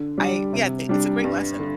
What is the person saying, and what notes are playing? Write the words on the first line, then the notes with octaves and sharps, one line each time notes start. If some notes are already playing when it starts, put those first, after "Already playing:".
I yeah, it's a great lesson.
Already playing: D3
G3 D4
C3
G3 D4
G2
D3